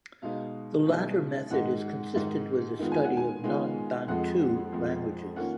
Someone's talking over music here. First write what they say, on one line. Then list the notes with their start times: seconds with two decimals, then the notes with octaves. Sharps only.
The latter method is consistent with the study of non-Bantu languages.
0.22 B2 G#3 D#4 F5
0.86 B2 G#3 D#4
1.51 G#2 D#3 G#3 D#4 F#5
2.15 G#2 D#3 G#3 D#4
2.79 D#3 G#3 B3 F4
2.92 G#5
3.04 F#5
3.17 G#5
3.43 D#3 G#3 B3 F4
4.08 F2 F3 G#3 F#5
4.72 F2 F3 G#3
5.36 D#3 A#3 C#4 F4 F#5